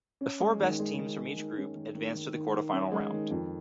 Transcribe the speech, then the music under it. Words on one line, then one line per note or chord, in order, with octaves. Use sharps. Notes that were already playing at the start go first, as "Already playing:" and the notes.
The four best teams from each group advanced to the quarterfinal round.
C#4
G#3
D#3
G#3
D#3
G#3
D#3
C#4
D#3
D#3
D#3
D#3
D#3
C#4
G#3
D#3
F2